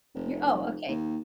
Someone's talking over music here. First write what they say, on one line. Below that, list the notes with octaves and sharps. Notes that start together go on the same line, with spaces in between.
you're oh, okay,
F1
D#2